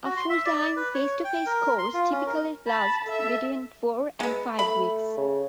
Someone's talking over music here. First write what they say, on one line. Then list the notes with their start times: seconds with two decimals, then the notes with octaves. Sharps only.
A full-time, face-to-face course typically lasts between four and five weeks.
0.05 F#4
0.17 C6
0.30 E5
0.46 D5
0.77 B4
0.94 C#5
1.25 G5
1.46 A#4
1.78 C6
1.94 F4
2.11 C#4
2.26 A#4
2.68 A5 B5
3.05 A4 E5
4.20 G#3 B3
4.59 A3 B5
5.18 C#3